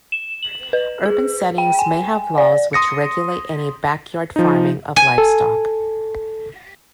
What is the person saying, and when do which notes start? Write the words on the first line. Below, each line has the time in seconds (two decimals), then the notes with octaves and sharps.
Urban settings may have laws which regulate any backyard farming of livestock.
0.12 E7
0.43 F#7
0.73 B4
1.06 G#4
1.58 G5
1.79 G#5
2.38 D5
2.73 C6 D#6 A#6 C#7
4.36 F3 D#4
4.96 G#5
5.18 A4